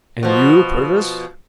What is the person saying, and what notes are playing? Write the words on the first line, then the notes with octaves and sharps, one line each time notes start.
"And you, Purvis?"
B2 F3